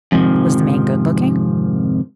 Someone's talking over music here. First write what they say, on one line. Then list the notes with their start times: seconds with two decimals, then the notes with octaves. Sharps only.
"Was the man good-looking?"
0.12 F2 G#2 C3 D#3 F3